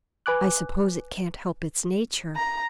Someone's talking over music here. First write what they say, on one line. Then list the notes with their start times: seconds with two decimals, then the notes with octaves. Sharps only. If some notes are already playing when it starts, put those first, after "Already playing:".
I suppose it can't help its nature.
0.26 B4 G#5 D6 F#6
2.36 A#5